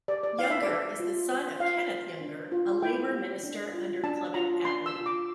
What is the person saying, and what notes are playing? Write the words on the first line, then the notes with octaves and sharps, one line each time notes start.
Younger is the son of Kenneth Younger, a Labour Minister under Clement Attlee.
G4 D5
D5
E4 F5
E5
D5
A4 E5
F4
C5
F4 F5
C5
D4
F4
E4 G5
G4
D4
F4
D4 A5
F4 A#5
D4 C6
E6
F4
D6